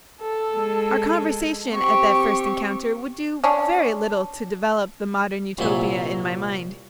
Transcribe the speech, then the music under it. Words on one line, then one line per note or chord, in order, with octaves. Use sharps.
Our conversation at that first encounter would do very little to develop the Modern Utopia in my mind.
A4
G#3
C4 G4 C#6
C#4 D4
C2 A#2 F#3 E4 G#5